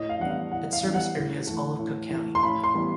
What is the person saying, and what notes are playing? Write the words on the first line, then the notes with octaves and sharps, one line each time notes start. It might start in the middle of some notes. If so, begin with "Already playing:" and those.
Its service area is all of Cook County.
Already playing: A2 D#5
F5
E3 G3 B3 D4 F#5
F5
A2 F#5
F5
E3 G3 B3 D4
F#5
A2
E3 A3
A2
E3 A3
C6
A2 B5
C6
E3 G3 B3